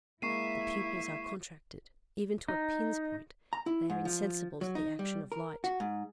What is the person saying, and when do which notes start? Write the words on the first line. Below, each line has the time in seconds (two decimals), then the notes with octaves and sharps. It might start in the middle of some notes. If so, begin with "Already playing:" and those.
The pupils are contracted, even to a pin's point; they are insensible to the action of light.
0.22 G#3 A#3 E4 E5 C#6 C7 D#7
2.48 D#4
3.53 A#5
3.66 E4
3.90 G#2
4.05 F3
4.61 F#3
4.75 D#4
4.99 G3
5.32 A#4
5.64 F#4
5.80 G#2